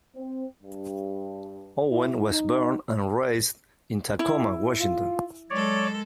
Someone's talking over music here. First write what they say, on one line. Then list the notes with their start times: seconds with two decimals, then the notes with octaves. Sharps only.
Owen was born and raised in Tacoma, Washington.
0.15 C4
0.62 G2
1.91 E4
2.30 D#4
4.19 E4
4.80 F4
5.50 F#3 G#3 A4 C#5 D5